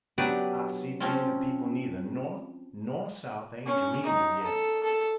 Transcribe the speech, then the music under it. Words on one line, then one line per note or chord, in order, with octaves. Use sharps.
I see things that people neither North nor South ain't dreamed of yet.
F#3 B3 D4 G4 B4 D5
F3 C4 C#4 F4
C#4
D#4
A4
A4